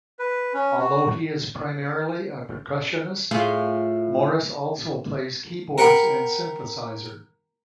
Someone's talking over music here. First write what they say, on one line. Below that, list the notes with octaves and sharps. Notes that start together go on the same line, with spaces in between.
Although he is primarily a percussionist, Morris also plays keyboards and synthesizer.
B4
C#4
F#4
A2 F4 G#4
A#4 F#5 G5 B5